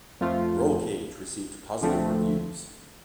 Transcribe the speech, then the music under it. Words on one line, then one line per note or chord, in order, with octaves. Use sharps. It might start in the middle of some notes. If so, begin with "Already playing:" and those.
"Rollcage" received positive reviews.
F2 F3 A3 F4
D2 D3 F3 A3 C4